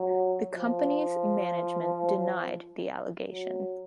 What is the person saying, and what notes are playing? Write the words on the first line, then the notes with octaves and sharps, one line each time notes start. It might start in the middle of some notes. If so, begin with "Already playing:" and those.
The company's management denied the allegation.
Already playing: F#3
F3
F#3